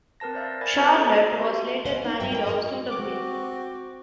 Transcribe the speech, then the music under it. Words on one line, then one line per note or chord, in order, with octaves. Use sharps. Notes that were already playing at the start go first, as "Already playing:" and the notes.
Charlotte was later married off suitably.
C4 A#4 B4 A5 A#6
C5 D5 E5 F5
A#4 D5 G#5 B5 G#6 A6
C4 F#4 C5 D5 E5 A#5
A4 D5 G#5 A5
F#4 G4 C6
B3 B4 C5 D#5 F5
B3 D#4
G2 F#3 E5 G5
G#3 A#4 B4 G5
F#4 G#4 A#4 C#5 D#5
C4 F#4 D6